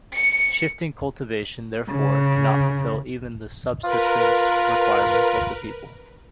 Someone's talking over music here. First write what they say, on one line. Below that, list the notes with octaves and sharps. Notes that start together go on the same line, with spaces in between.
Shifting cultivation, therefore, cannot fulfill even the subsistence requirements of the people.
C#7
C#3
F4 A#4 B4